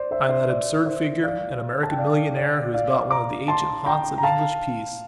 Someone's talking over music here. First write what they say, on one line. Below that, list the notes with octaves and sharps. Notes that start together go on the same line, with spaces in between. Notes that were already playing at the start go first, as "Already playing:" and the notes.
I am that absurd figure, an American millionaire, who has bought one of the ancient haunts of English peace.
Already playing: C5 D5
C5 E5
C5 E5
D5
C5 E5
D5 F5
A5
G5
D5 F5
D5
D5 F5
A#5 D6
A5 C6
G5 A#5
A#5
F5 A5